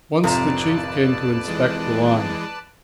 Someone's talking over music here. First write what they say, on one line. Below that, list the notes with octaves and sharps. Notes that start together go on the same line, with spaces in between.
Once the Chief came to inspect the line.
G#1 F2 C3 B4 C5 D5 A5 A#5
E3 G#3